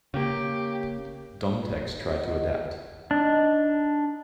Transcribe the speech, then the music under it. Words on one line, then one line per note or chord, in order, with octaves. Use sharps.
Domtex tried to adapt.
C#3 A#3 G4
D#5 F#5
D4 D#4